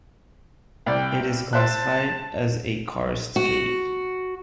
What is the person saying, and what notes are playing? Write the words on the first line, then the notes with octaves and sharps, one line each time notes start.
It is classified as a Karst cave.
C2 D5 G5
C5 E5 A5 F#6
F#4